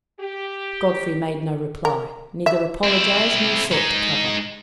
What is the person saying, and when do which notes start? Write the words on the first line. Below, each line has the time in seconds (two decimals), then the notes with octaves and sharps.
Godfrey made no reply--neither apologized nor sought to cover.
0.20 G4
1.85 A#4
2.46 E5
2.83 C4 E4
3.72 G#3 D#4